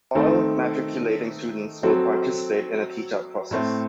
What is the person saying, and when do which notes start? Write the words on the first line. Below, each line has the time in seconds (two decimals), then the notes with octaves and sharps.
All matriculating students will participate in a teach-out process.
0.15 D#3 A3 C4 D#4 A4
1.83 F#3 C4 F#4 A4
3.51 A2 A3 C4